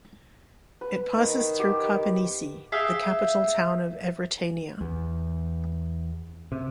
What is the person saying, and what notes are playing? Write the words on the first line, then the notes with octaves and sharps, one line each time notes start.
It passes through Karpenisi, the capital town of Evrytania.
B4
D#3
G4
G#4 E5 F5 G5
E2
C3